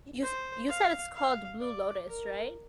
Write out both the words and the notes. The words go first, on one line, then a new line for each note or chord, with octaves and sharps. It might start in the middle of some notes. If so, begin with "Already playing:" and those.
You s you said it's called Blue Lotus, right?
C5
F5
F5
D5
A#4